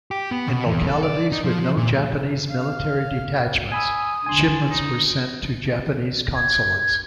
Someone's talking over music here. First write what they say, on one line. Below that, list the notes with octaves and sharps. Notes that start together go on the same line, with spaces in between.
In localities with no Japanese military detachments, shipments were sent to Japanese consulates.
G4
B3
B2
E2
A4
D5
D#4
F3
F3
A#2
F5
G#5 B5 D#6 E6
D3 G#5 C6
D#4
G#6